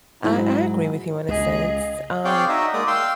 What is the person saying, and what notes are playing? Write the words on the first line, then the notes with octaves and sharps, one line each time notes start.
I I agree with you in a sense, um,
G#2 F#3 E4
C#2 G#4 D#5
C4 G#4 C#5 D5 F5 G5
D#4 F#4 D#5 E5
G#3 A#3 D5 D#6
F5 G5 C6 E6